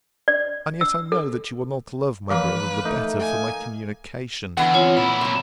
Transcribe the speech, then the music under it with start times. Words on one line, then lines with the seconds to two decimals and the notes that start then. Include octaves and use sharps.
And yet I know that you will not love my brother the better for my communication.
0.28 D5
0.81 E6
1.12 A4
2.30 E3 F3 A#3 B4
2.85 A3 D#4
3.19 G#5
4.57 E2 D3 E3 F#5
4.74 C4 F4 C#5
4.97 A#2 E4 B5
5.21 C3 F#3